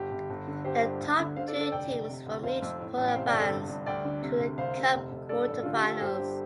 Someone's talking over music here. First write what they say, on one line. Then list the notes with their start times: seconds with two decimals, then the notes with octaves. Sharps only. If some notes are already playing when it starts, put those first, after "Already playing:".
The top two teams from each pool advance to the Cup quarterfinals.
Already playing: G1 G4
0.11 G1
0.30 G1
0.48 D3
0.65 G1 G4 C5
0.83 G2
1.01 D2
1.19 D3
1.36 D3 C5 F5
1.48 A4 D5
1.55 D3
1.60 A4 D5
1.72 F1 D5 G5
1.89 F1
2.08 C3
2.26 D2
2.43 F1 C5 F5
2.62 F2
2.79 A2
2.98 A1
3.08 G5
3.15 C3 C5 F5
3.27 D5 G5
3.33 G1
3.39 A4 D5
3.50 G2
3.69 G2
3.86 D2 D5 G5
4.05 D3
4.22 C3
4.40 D2
4.58 C2 C5 F5
4.76 C3
4.94 F1
5.12 F1
5.29 G2 A4 D5
5.48 A1
5.63 D3 F4
5.75 G4
5.83 D3 A4
6.01 G1 G4 C5
6.19 G2